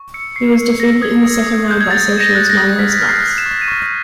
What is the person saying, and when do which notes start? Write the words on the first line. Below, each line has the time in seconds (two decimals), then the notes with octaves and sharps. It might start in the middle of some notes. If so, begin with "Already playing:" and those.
He was defeated in the second round by Socialist Marius Masse.
Already playing: C#6
0.14 E6 C#7
0.35 C#6 C7
0.58 C#6
0.80 E6 A#6
1.02 D#6 G#6
1.24 D#6
1.47 D#6
1.68 D#6 G6
1.81 G#6
1.91 D#6 A6
2.13 D#6
2.20 A#6
2.35 F#6
2.49 A#6
2.57 D#6
2.79 F6 B6
3.02 F6
3.09 C7
3.23 F6
3.38 E7
3.46 C#6
3.61 D#7
3.68 C#6 E7